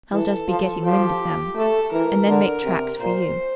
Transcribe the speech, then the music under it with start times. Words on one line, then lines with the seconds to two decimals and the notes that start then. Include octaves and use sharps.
I'll just be getting wind of them, and then make tracks for you.
0.12 E3 A4
0.48 F3
0.83 F3 G4
1.56 A3 A4
1.91 E3 A#4
2.27 D3
2.64 C3
3.00 A#2 C5